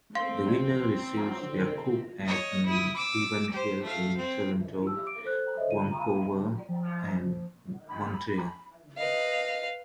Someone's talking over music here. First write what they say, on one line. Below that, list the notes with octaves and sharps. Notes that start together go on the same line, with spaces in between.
The winners received their Cubes at events held in Toronto, Vancouver, and Montreal.
C4 F5 C6
C#5 D#5
E4 D#6
D6 E6
G4 C5
A3 F5
C4
G4 E6
D6 D7
A4 C5 F#6
A4 C5 C#5 D#5 E5
F4 D#7
F5 B5 D#7
F3
B5
B4 D#5 F5